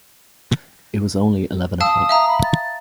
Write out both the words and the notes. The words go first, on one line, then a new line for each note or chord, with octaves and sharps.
It was only eleven o’clock.
F5 A5 D#6 E6
E5 F5 A#5
B5
A6